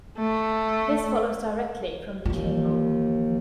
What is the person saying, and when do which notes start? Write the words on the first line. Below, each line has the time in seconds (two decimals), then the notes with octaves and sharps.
This follows directly from the chain rule.
0.19 A3
2.25 D#2 E3 F3